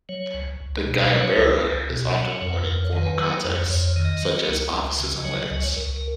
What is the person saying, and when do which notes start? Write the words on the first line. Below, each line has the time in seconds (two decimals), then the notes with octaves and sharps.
The guayabera is often worn in formal contexts, such as offices and weddings.
0.09 F#3 C#5
0.34 C#2
0.60 C#2
0.86 B2
1.00 B4
1.11 F#3 C#5
1.37 C#2
1.63 C#2
1.90 B2
2.14 F#3 D#5
2.28 C#5
2.41 F2 C#5
2.53 B4
2.67 F2 A#4
2.84 C#5
2.93 D#3
3.02 B4
3.18 F#3
3.44 F2
3.69 F2 C#5
3.87 C#5
3.96 D#3
4.05 D#5
4.22 F#3
4.48 C#2
4.73 C#2
5.00 C#3
5.18 D#5
5.25 F#3 C#5
5.32 D#5
5.38 C#5
5.50 C#2 D#5
5.63 C#5
5.77 C#2 A#4